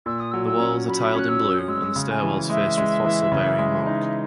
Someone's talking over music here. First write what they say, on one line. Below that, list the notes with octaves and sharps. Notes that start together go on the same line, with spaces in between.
The walls are tiled in blue and the stairwells faced with fossil-bearing rock.
A#2 E6
D#6
F#3 E6
E6
C#4
F#3 B5
C#4 F#6
E6
C#4
D#6
G#3 E6
C#3
G#5
E3
G#3 E5
G#3
E3
C#3
G#3
D#4